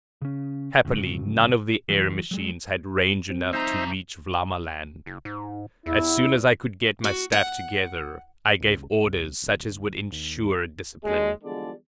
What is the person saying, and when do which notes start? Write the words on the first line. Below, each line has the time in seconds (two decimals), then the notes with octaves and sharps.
Happily, none of the air-machines had range enough to reach Vlamaland. As soon as I could get my staff together, I gave orders such as would insure discipline.
0.22 C#3 C#4
0.85 D2 G#2 C#3 F#3
1.89 C#2 E3 F#3
2.31 F#3 G#3
3.28 F3 C4
3.53 C2 D#4 C5 E5 A#5 G6
5.06 F#1
5.25 G#2
5.86 E2 E4
7.04 F#4
7.32 F#5
8.60 C#2
9.05 C2
9.42 D1
10.12 D#2
11.04 D#2 D3 F#3 G#3
11.44 E2 D3 F3 G3 G#3 D5